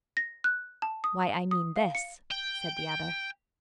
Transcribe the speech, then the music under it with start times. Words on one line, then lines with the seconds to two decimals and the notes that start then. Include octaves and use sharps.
"Why, I mean this," said the other.
0.17 A#6
0.44 F#6
0.82 A5
1.04 D#6
1.51 D#6
1.76 F5
1.95 C#7
2.31 G5